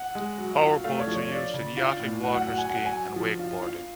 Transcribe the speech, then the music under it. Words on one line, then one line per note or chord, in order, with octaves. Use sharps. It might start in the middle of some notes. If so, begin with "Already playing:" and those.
Power boats are used in yachting, waterskiing and wakeboarding.
Already playing: F#5
G#3
F#3
F4
A3 F5
C#5
F3
C#5
F4 D5
C#3
F4
A2
F#3 F#5
F#5
F#3 F#5
G#5
F#3 F#5
G#5
F#3
F3
F4
F4 F5